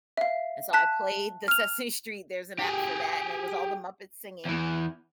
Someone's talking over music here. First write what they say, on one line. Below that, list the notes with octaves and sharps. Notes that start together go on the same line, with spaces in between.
And, so I played the Sesame Street, There's an App for That, and it was all the Muppets singing
E5 F5
A5 F#6 B6
F6 F7
G4 G#4
E2 E3